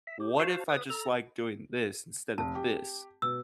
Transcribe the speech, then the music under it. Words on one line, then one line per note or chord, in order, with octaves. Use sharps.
What if I just like doing this instead of this?"
E5
G4
F#4 C5 F5 A5
B4 D#6
A4 A#5
F1 A5
G4
B2 E6